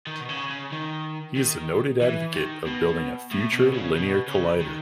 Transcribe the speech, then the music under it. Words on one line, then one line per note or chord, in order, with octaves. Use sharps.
He is a noted advocate of building a future linear collider.
D#3
B2
C#3
C#3
D#3
D#3
E3
D#3
B2
A2
B2
C#3
B2
C#3
D#3